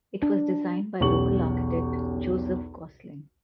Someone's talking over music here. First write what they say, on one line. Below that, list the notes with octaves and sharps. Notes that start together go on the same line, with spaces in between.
It was designed by local architect Joseph Gosling.
D4
B1 E2 C#4 G4 C#6 F#7